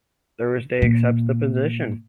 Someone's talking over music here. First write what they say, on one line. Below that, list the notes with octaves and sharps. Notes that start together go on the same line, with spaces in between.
Thursday accepts the position.
A#2